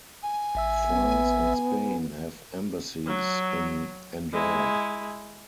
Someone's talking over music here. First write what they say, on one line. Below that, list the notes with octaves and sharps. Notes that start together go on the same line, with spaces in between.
France and Spain have embassies in Andorra.
G#5
A1 E5 E6
B3
F#3
G#3 E4